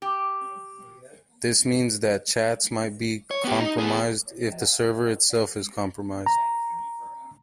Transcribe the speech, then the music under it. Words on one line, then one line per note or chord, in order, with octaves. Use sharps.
This means that chats might be compromised, if the server itself is compromised.
G4
C#5
B3 G4
D#4
B3 G#4
A#5